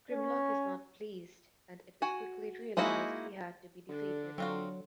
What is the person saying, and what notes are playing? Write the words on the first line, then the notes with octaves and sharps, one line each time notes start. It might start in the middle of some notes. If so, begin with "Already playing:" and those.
Grimlock is not pleased, and it was quickly realized he had to be defeated.
C#4
F#4 G#5
G#3 A#3 D#4 E4 F#4
D3 D4 A4
F#3 C4 F4 F#4